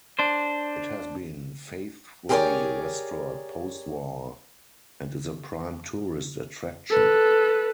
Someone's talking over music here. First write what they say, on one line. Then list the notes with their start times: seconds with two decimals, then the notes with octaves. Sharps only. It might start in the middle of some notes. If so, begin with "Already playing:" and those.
It has been faithfully restored post-war and is a prime tourist attraction.
0.19 D4 C5
2.29 G4 G#4 A#4 B4 C#5 D5
6.90 A4 B4